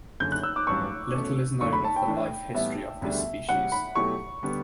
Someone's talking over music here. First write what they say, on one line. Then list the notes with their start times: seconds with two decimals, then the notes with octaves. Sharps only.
Little is known of the life history of this species.
0.20 F#1 F#2 D3 G6
0.32 F#6
0.43 E6
0.56 D6
0.67 A1 G2 F#3 C#4 C#6
1.14 E2 B2 A3 C#4
1.61 F#1 E2 D3 F#3 A3 C#6
1.73 B5
1.84 A5
1.96 G5
2.07 A2 E3 A3 D4
2.54 A2 E3 G3 B3 E5
3.01 E1 D2 D3 G3 D4
3.49 C#3 G3 C#4 F#5
3.72 B5
3.95 B2 F#3 A3 E4 G4 C#6
4.43 D3 G3 B3